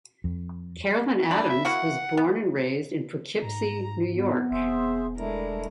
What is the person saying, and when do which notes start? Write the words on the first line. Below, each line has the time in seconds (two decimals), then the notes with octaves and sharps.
Carolyn Adams was born and raised in Poughkeepsie, New York.
0.24 F2
1.31 D4 B5
1.50 E5
1.65 A#3 E4 F#4 F#5
2.17 B3
3.42 G#2 A#5
4.12 F2 B3
4.51 E1 G#4 C5 E5
5.17 G#3 A3 D4 E4 A#4